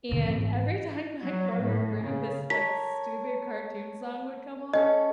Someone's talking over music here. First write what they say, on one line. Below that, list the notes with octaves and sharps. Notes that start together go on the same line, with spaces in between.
and every time my phone would ring, this, like, stupid cartoon song would come on,
B2 D3 D#3 A3
G#2 E3 C4
F#3
A2
C#3
A#4 C#5 A5 B6
C#4 A4 D#5